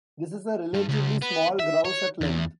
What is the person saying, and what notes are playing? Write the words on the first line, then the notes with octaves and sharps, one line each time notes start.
This is a relatively small grouse at length.
G2
C#2
B3
E5
C#5
E2